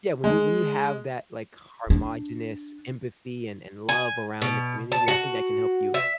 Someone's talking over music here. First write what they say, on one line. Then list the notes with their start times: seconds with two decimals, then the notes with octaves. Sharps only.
yeah, when you when you have that, like, homogenous empathy and and love around a community, I think that can help you,
0.24 G#3
1.90 D4
3.89 G#5
4.42 B2
4.92 A5
5.08 F#4
5.94 E5